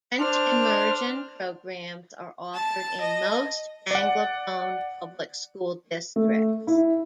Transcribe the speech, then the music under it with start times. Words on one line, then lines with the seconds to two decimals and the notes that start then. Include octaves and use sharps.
French immersion programs are offered in most Anglophone public school districts.
0.20 D4 C5 F6
2.54 A5
3.01 D#5
3.91 D5 F#5
6.16 A3
6.67 E4